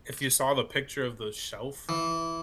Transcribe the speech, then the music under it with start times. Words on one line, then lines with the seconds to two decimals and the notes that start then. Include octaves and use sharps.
if you saw the picture of the shelf
1.89 E3